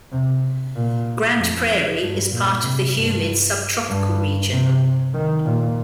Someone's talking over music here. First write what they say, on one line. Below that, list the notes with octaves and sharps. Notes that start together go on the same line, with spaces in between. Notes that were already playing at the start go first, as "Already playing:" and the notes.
Grand Prairie is part of the humid subtropical region.
C3
A#2
F2
G2
A#2
C3
G2
G2
C3
D#3
A#2